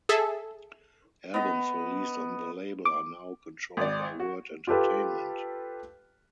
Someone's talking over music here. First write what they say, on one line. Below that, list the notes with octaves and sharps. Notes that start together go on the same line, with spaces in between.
Albums released on the label are now controlled by Word Entertainment.
G#4 A4 E5
B3 D#5
D6
G#1 D5
F#4
F4 G4 A4 B4